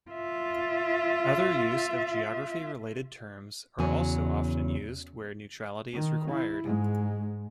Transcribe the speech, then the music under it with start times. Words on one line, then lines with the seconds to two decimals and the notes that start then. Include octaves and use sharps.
Other use of geography-related terms are also often used where neutrality is required.
0.11 F4 E5
3.79 E2 C#3 F#3 G#5
5.93 D#3
6.31 E4
6.64 G#2 G#3